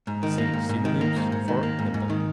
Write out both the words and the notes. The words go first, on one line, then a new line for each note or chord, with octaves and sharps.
See synonyms for NIMBLE.
G#2
D#3
A#3
G#2
G#2
D#3
A#3
G#2
G#2
D#3
A#3
G#2
G#2
D#3